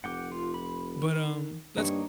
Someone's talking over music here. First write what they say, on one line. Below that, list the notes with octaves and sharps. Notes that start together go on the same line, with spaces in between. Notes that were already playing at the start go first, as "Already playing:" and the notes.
But, um, that's
F1 F#5 G5 D6
F4
B5
D#3
G2 A#3 D#4 C#5